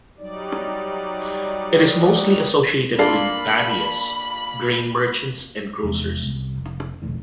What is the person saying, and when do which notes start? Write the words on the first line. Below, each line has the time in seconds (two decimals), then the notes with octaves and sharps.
It is mostly associated with Baniyas, Grain merchants and Grocers.
0.18 F#3 G3 D#4 D5
2.99 A#3 D4 F4 A4 B5
5.83 F1 E2 G#3 B3
6.23 C2
6.56 F1
7.02 B1 F2 A2 D#3